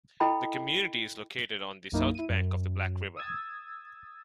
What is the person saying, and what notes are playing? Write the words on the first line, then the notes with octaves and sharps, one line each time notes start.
The community is located on the south bank of the Black River.
E4 A4 D#5 G5 B5
B1 F#2 A#3 D#4 E4
E4 D#7
F#2
D#6 E6 G#6 A6